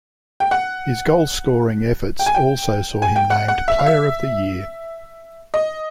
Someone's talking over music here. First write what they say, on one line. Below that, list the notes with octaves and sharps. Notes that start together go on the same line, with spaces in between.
His goalscoring efforts also saw him named Player of the Year.
G5
F#5
G5
G#5
G5
G#5
G5
F#5
F#5
E5
F5
E5
D#5